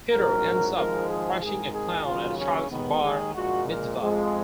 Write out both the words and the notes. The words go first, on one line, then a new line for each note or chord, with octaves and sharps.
Peter ends up crushing a clown at a child's bar mitzvah.
A#1 G#2 F#3 A#4
G#1 G#2 F3 G#3 A#4
G#4
G#1 G#2 D#3 G#3 G#4
G#4
D#2 C#3 F#3 F4
C#4
D#2 D#3 G#3 B3
G#4
A#1 A#2 G#3 F#4
A#4
F2 F3 G#3